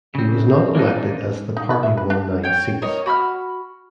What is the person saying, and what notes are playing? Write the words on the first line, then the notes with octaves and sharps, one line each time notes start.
He was not elected as the party won nine seats.
C#3 C4
E3 F3 A#3 C4 D4 D#4
D#4
B4
E5
B4
D4
C#5 G5
A#4 C#5 D#5
F#4 B5 E6 F6